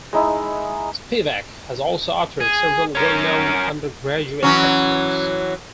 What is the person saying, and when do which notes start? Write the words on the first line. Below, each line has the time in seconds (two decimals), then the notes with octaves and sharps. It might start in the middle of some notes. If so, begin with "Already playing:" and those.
Spivak has also authored several well-known undergraduate textbooks.
0.13 G#3 D#4 E4
2.40 G#4
2.95 C#4 A#4
4.43 E3 F#3 C#4